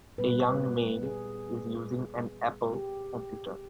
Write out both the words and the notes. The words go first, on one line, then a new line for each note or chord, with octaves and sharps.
A young main is using an Apple computer.
A#2 G3 B3 B4
G#4
G4